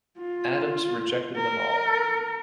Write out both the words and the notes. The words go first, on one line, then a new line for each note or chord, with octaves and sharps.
Adams rejected them all.
F4
A#4